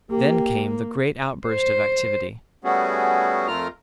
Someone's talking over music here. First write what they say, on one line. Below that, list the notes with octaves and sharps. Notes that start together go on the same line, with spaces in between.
Then came the great outburst of activity.
A#3 G4
C5
G3 A3 B3 C#4 F#4 G#4
F2 A3 F4 A#4 A#5 F6